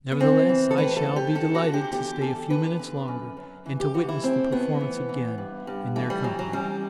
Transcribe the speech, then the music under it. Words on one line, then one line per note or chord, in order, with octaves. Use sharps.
Nevertheless I shall be delighted to stay a few minutes longer and to witness the performance again in their company.
B3
E3 C4
E3
A4
A2 B4
A4
A2
G4
D3 A4
F#4
D3
G4
E2 G4
E2 A4
D3 B4
D3
F#2
F#2
E3
G4
E3 F#4
E4
A2 C4
A2 B3
E3
E3
G2
G2
E3 A3
G3
E3 F#3
F#3
F#2 G3